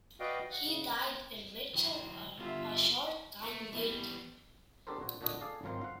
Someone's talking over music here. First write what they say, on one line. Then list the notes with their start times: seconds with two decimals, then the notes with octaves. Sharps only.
He died in Mitchell, a short time later.
0.20 F#4 B4 D5 D#5 F5 G5
0.51 F#5
0.65 C#3
1.75 F#3 E4 G5
2.39 D3 G3 B3 F4 E5
3.43 A3
3.73 E3 G3 B3
4.87 B3 D4 G4 A4 A#4 C5
5.00 A#2 F#4
5.21 A#2 D3 D4 F#4 D#5
5.41 G#4 A4 D5 F5
5.63 G#1 F#3 F4 A#4 C5 G5
5.81 F5 F#5